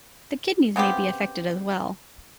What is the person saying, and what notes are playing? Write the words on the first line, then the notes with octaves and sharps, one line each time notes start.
The kidneys may be affected as well.
C#3 B3 C4 G4